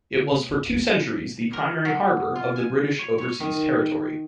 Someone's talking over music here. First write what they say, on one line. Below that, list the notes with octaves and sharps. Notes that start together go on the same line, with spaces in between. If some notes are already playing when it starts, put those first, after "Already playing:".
It was for two centuries the primary harbour of the British Overseas Territory.
D3
B2 A3
B1 F#2
A#1 E2 C#3 F3
A#4
F#3
F4
G#5
C#5
C#5
D#3